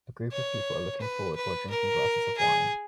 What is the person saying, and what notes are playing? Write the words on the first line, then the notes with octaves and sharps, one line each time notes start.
A group of people are looking forward while drinking glasses of whine.
C#5
B4
B4
A#4
G#4